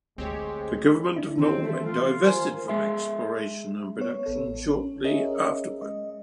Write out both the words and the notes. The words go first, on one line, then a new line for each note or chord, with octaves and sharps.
The government of Norway divested from exploration and production shortly afterward.
D2 G#3 C4 G4 C#5
D4 E4
D#3 E3 C4
A3
F4
A#4 C5 G#5
G#3 G#4 E5 C6
B3 C#5
A1 A4
C#4
C#4 G#4 A#4 C#5 D#5 E5
G#3 D#5